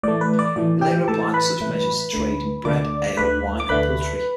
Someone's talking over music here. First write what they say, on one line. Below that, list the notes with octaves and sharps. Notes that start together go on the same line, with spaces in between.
He later applied such measures to trade in bread, ale, wine and poultry.
A2 E3 A3 D5
B4
D5
A2 E3 A3 D5
G4 G5
A2 E3 A3 A4 A5
B4 B5
A2 E3 A3
D2 D3 A3
D2 D3 A3 D5 D6
D2 D3 A3 B4 B5
D6
D2 D3 A3 B4 B5